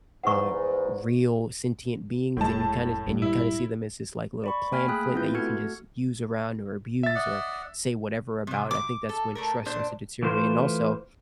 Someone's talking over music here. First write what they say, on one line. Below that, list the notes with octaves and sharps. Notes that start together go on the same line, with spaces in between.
uh, real sentient beings, then you kinda and you kinda see them as this, like, little plan flip that you can just use around or abuse or say whatever about, I think that's when trust starts to deteriorate and also,
E2 G#2 F#5 C#6
F1 A2 G#3 A5
G#1 G2 A#2
E4
D5 B5 C#6
A#3 G5 G#5 B5 F6 B6
A3 G#4 G5 D#6 F#6 B6
B3 C4 E4 F4 B4 G6
A3 F#4 A4 F6 G#6 C#7
E5 A6
D5 D#5 F#5
C3 F#3
D6
A4
A3 A4 A#4
A#2 D4 C5
E3 A3 F4 C5